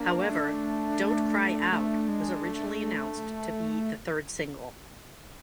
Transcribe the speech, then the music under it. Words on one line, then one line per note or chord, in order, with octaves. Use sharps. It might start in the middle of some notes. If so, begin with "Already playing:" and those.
However, "Don't Cry Out" was originally announced to be the third single.
Already playing: A#3 D4
A3 D4
A3 D4
G#3
A3